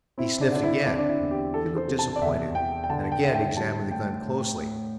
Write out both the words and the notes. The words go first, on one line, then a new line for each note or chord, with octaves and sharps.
He sniffed again. He looked disappointed, and again examined the gun closely.
C4 E4
D4
D3 D4
E4
C4 D4
D4
E4
E2
G4
E3 A4
C5
C3
A5
D5
E2 E5
E2 G5
G5
D3 A5
G5
D3 E5
G5
G3 A5
A2 G5
A2
A2